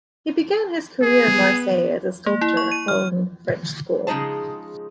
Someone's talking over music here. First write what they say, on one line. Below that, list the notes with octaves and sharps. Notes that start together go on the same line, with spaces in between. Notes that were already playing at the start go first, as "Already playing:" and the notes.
He began his career in Marseille as a sculptor following the French school.
B3 G#4
A#3
E4
C#6
D#7
F6
C#3 F3 G#3 D#4 G#4 A5